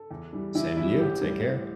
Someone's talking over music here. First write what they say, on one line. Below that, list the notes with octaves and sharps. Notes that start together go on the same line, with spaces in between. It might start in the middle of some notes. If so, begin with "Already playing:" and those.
Same to you, take care.
Already playing: A4
E2
E3 G3
E2 E4
E3 G3 E4
A1 G4
A2 G3
A1